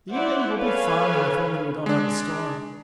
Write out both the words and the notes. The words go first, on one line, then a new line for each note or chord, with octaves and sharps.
The evening will be fine, if only we don't have a storm.
E4 C5 D5 E5 F#5
A4 B4 C#5 F5 G#5 B5
G#3 D4